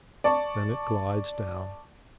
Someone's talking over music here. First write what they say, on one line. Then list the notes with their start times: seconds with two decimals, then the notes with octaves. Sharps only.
Then it glides down.
0.24 D5 A5 C#6